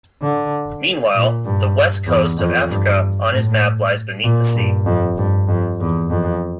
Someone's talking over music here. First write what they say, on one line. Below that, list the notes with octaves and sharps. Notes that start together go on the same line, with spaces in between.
Meanwhile, the west coast of Africa on his map lies beneath the sea.
D3
A#2
G2
E2
F2
G2
A2
A#2
G2
F2
G2
F2
E2
F2